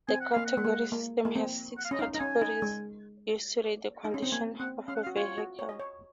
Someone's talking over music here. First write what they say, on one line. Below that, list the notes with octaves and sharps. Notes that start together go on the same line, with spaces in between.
The category system has six categories used to rate the condition of a vehicle.
C4 G#5
F#5
A#3 F5
F#5
G#3
A#3
A#3
A#3
C4
F#5
F5
C#4 D#5
D#4 F5
D#4 A#5
C#4 G#5
D#4
G#3
D#4
C#4
C4
A#3 G#5
C4 F#5
C#4 F5
F#5
F5
F#4
F4 C#5
F#4
C#5
D#5
C#5